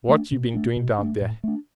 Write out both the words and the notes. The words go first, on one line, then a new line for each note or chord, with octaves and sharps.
"What you been doing down there?"
A3 D4
B2
A3 D4
B2
A3 D4
A2
A3 D4